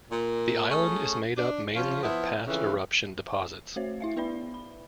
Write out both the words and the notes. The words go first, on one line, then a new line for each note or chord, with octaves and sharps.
The island is made up mainly of past eruption deposits.
A#2
A3 C#4 G#4
D4
F3 C#4 F4
F3 B3 E4
F2 C#3 E3
A3 F#4 C5 C#5 E5
E4 E5 F5
B3 E4 B4 D5 E5 B5
B5